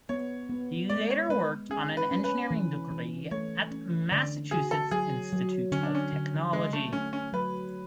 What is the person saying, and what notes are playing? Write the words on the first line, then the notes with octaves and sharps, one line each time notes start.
He later worked on an engineering degree at Massachusetts Institute of Technology.
B3 C#5
B3
G#3 D5
C#5
G#3 B4
C#4 G#4
B4
C#4
B4
E3
E3
A3 C#5
C#4
D3 D5
F#4 G#4
A4
F#3 G#4
F#3
D3 C#4
D4
C#4
D3
D3 G#3
A3
A3 C#4
C#4
F#3 B4